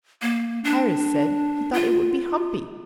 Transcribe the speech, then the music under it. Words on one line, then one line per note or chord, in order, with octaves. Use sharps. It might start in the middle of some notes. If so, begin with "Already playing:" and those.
Harris said he thought it would be humpy.
A#3
D4
F4